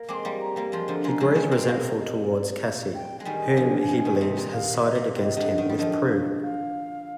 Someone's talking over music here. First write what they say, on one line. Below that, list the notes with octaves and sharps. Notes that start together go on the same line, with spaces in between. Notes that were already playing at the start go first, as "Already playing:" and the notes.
He grows resentful towards Cassie, whom he believes has sided against him with Prue.
Already playing: A#3
G#3 C4 C6 D6
G3 A#3
A#5
G3 A#3
F3 G#3 C6
D3 F3
F3 G#3 A#5 C6
F3 G#3
G3 A#3 G#5
G#3 C4
G3 A#3 F5
D#5
D5
F5
G5
G#3
D#3 G3 G#5
D3 F3
D#3
D#3
C3
A#2
F5
A#2
D#5
C3
D#3 D#5
D3
D#3
G3
D3 F3 D#5
F5
F5